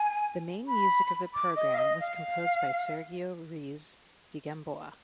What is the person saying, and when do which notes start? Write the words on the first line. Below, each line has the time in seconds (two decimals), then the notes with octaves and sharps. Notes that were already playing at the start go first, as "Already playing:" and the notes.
The main music of the program was composed by Sergio Ruiz de Gamboa.
Already playing: G#5
0.67 B5
1.34 D6
1.55 D#5
1.74 F5
1.78 D#5
2.00 F5